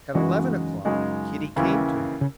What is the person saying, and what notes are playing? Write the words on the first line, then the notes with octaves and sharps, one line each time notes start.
At eleven o'clock Kitty came to him.
F#2 C#3 E3 G#3 D#4 F#4
F#2 C#3 G#3 D#4 F#4
D#2 C#3 E3 A#3 E4
C#3